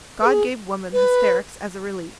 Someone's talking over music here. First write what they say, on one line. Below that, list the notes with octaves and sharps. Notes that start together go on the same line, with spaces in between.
God gave woman hysterics as a relief.
B4
G#4
B4